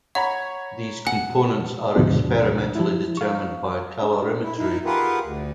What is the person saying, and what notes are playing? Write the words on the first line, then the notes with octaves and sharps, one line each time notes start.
These components are experimentally determined by calorimetry.
C#5 F#5 A#5 B5
F#5 G#5
D2 G#2 B2 F3 G#3 D4
F3 E4
F5 C#6
D4
E4
D#4 E4
F4 G4 G#4 A#4 B4 F#5
D2